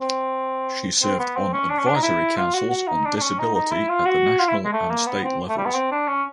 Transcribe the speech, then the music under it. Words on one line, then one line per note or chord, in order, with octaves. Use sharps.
She served on advisory councils on disability at the national and state levels.
C4
C4
B3
C4
C#4
D4
C#4
D4
D#4
E4
F4
F#4
F#4
D#4
D4
D4
C#4
D#4
D#4
E4
F4
F#4
F4
E4
G#3
A3
A#3
B3
C4
A3
G3
B3
C4
D4
C#4